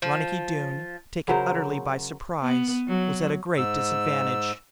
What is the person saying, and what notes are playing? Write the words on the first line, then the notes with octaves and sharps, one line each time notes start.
Ronicky Doone, taken utterly by surprise, was at a great disadvantage.
F3
C#3 F#3 A#4 C5
B3
F#3
G#2 E6